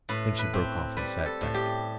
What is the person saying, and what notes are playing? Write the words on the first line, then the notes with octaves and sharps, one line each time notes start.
Then she broke off and sat back.
A2 B4
B4
C4
G3 B4
A4
A2
G4